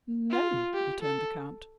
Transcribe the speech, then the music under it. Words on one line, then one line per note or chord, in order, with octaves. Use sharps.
"No," returned the count.
F4
G4
A4